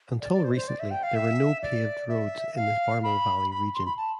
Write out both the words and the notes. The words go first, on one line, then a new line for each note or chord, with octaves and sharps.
Until recently there were no paved roads in this Barmal Valley region.
D5
D5
C5
C5
D5
E5
G5
F5
E5
D5
E5
F5
B5
B5
C6
B5
A5